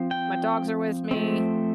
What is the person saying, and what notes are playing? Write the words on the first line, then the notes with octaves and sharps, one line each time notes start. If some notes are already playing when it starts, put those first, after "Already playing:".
my dogs are with me
Already playing: F3 C4
G5
F3 A3 C4